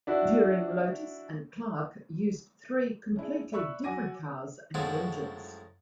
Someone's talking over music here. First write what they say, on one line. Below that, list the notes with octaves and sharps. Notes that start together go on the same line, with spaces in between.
During Lotus and Clark used three completely different cars and engines.
D4 E4 F#4
C#4 D4 E4 G#4
D5 E5 B5 C#6 E6 F#6
F#3 F#5 G#5 D6 A#6 D#7
F#2 A2 F3 F#3 G#3 E4